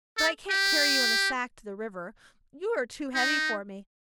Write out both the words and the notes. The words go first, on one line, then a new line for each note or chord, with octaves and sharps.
'But I can't carry you in a sack to the river; you are too heavy for me!
A4
G4
D#4